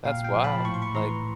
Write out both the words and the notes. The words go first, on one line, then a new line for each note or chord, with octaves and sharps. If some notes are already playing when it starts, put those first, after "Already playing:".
That's wild, like,
A#2 F5 G5
F5 G5
F3
A5 B5
A2 C#6
C6
B5 C#6
E3 A#5 C6